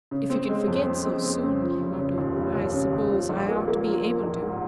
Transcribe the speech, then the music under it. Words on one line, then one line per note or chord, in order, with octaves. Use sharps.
"If you can forget--so soon," he muttered, "I suppose I ought to be able to."
C#3
C4
G#3
F2
C4
C4
C4
C#3
F3
F1
C#3
D#2
F1
D#2
C#3
D#2
F3
A#1
A#3
A#3
F3
F3
A#1
G#2